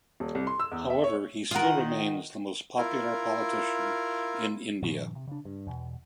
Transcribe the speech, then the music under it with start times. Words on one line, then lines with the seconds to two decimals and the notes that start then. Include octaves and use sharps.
However he still remains the most popular politician in India.
0.20 D#1
0.35 C2
0.47 C6
0.59 E6
0.72 E2
0.90 E5
1.04 C#5
1.51 D#3 F4 A#4 D#5 F#5
2.78 E4 F4 A#4
4.82 G2 A#2 D#3 F3
5.15 C3
5.27 C#3 D4
5.45 G2
5.67 E2 B2